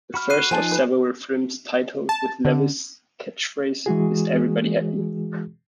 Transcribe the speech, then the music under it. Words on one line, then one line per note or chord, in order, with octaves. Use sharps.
The first of several films titled with Lewis' catchphrase, Is Everybody Happy?
F#4 B5 F6
F#6 C7 D#7
F3 D#4 C5 G#5 A5
B4
A5
D3
E3 G#3 F#4 G#4